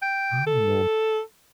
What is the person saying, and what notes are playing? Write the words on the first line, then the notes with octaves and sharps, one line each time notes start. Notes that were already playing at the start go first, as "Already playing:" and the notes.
Oh, man.
G5
A4